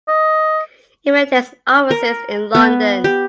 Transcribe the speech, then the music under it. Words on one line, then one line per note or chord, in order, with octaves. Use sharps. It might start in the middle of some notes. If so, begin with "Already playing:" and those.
It maintains offices in London.
D#5
A#4
B3
G4